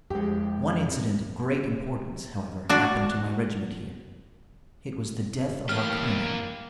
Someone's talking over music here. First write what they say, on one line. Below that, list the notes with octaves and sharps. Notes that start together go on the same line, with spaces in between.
One incident of great importance, however, happened to my regiment here. It was the death of our colonel.
F2 G#3 G4
D4 F#4
E3 A#3 D4 G4 B4 F6